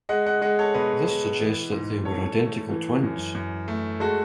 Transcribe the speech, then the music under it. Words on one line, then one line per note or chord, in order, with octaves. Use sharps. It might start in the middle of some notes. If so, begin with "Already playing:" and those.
This suggests that they were identical twins.
G#3 D#5 F#5
D#5 F#5
G#3 D#5 F#5
A4 C#5
B2 B4 D#5
B2
E3
G#2
G#2 A4 C#5
A3
E3
F#2
F#2
A3
G#3 F#4 A4